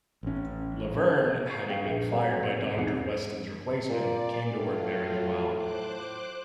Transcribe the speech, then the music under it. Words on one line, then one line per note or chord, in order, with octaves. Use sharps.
Laverne, having been fired by Doctor Weston's replacement, came to work there as well.
A1 C#4
C#6 C7
G#4 B4 F5 G5
A#1
F#3 C4 A4 B4 C#5 F#5
G#2 C3
B1 E2 C4 E4 C7 C#7
A#2 D5
A2 F#3 F4
C5 D6 F#6